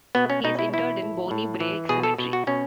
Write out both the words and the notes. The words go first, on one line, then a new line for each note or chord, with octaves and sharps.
He is interred in Bonnie Brae Cemetery.
B2 B3
C#4
B2 D#4
E4
E3 E4
A2
A2
E3
B2 G#4
A4
B2
F#4
B2 C#4